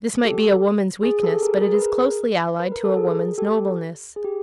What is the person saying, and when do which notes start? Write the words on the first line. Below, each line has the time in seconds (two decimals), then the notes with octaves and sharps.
This might be a woman's weakness, but it is closely allied to a woman's nobleness.
0.25 G4 A4
1.03 G#4
1.23 G4 A4
1.42 G#4 A#4
1.62 G#4 A#4
1.73 B4
1.81 G#4 A#4
2.60 B4
2.72 A#4
2.84 A4
2.96 G#4 A#4
3.38 G4 A4
4.16 G#4
4.24 G4